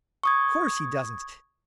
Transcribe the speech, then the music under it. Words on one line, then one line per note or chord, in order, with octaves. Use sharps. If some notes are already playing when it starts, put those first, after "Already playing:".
Of course he doesn't.
C#6 D#6 G#6